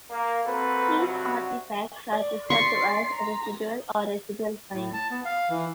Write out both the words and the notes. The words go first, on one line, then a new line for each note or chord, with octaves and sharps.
These artifacts are referred to as "residual" or "residual finds".
A#3
A#3 C4 F#4 A4 B4
G2 C3 F#3 F#4
D5
D5 C6 C#6 B6 C7
A#5
A2
A5
B3
F5
E3